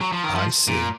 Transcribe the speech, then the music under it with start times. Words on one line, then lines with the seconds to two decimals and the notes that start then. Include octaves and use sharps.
I see.
0.01 F#3
0.12 F3
0.24 D#3
0.35 F3
0.68 A#2